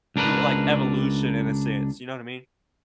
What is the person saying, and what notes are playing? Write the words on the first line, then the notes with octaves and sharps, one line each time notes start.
through, uh, like, evolution in a sense, you know what I mean?
C#2 D4 A#4 B4